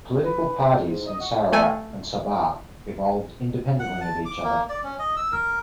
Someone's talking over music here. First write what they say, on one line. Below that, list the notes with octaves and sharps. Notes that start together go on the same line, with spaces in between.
Political parties in Sarawak and Sabah evolved independently of each other.
B4
G#2
D#5
F#4
A3 G#5
F#5
A5
D6
A#3
D5
C#4
D#5
E6
A#4